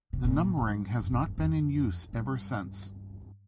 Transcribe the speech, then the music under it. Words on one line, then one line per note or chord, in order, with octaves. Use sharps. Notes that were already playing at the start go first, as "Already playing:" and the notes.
The numbering has not been in use ever since.
C3
A#2
G#2
G2
F2
G2
F2
F2
G2